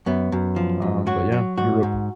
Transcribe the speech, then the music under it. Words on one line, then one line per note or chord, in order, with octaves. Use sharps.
um, but yeah, Europe,
F#2 B3
F#2
F3
F#2
F#3 F#4
F#3
G#2 F#4
G#2